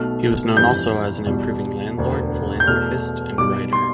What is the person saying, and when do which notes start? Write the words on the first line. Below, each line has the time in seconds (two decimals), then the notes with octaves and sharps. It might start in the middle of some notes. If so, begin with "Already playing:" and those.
He was known also as an improving landlord, philanthropist and writer.
Already playing: B1 B2 A3 F6
0.57 G1 F2 E3 G3 G6
1.26 E2 B2 G3
1.97 E1 D2 D3
2.60 G6
2.67 E2 B2 A3 F6
3.38 B1 B2 G3 D6
3.73 C6